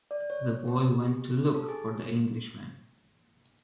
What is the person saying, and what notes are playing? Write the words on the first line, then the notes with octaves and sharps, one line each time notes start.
The boy went to look for the Englishman.
D5
C#5
G4
A4
G#4